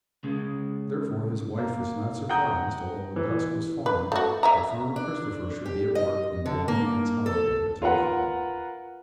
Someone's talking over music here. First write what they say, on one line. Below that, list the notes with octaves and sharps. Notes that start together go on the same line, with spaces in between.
Therefore his wife was not surprised although the dusk was falling, that farmer Christopher should be at work in 'blind man's holiday,' as we call it.
C#3 G#3
A#3
F#5 G5 A#5 D#6 G6
E3
B4
A3 F#4
E5 G#5 A#5
D4
G4
D#5
D3
A#3
A4
F4 A#4 B4 F#5